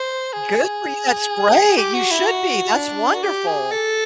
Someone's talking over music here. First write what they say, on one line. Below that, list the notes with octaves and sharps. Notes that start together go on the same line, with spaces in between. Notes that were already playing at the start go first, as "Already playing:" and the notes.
Good for you, that's great, you should be, that's wonderful.
Already playing: C5
G#4
G4
F#4
E4
F#4
D4
F#4
G4
G#4
A4